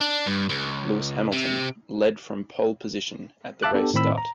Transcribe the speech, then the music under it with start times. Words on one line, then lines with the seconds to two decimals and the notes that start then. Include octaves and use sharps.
Lewis Hamilton led from pole position at the race start.
0.01 D4
0.26 G2
0.49 C#2
1.32 C3
3.63 E5 F5 A5 D6 F#6
3.74 B3 D4 G4 A4
3.94 A2 D#3 C4 B5 E6
4.18 A#5